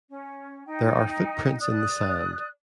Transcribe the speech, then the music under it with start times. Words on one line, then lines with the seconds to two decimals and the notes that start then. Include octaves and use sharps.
There are footprints in the sand.
0.09 C#4
0.66 D#4 G5
1.58 D5 D#6 F#6